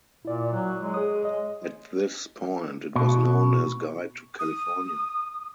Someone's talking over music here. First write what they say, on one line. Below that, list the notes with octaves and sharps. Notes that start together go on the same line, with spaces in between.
At this point it was known as "Guide to California".
A#2 E4 D5
F#3
G#3
G#4 C#5 D#6
D#5
B2
D#6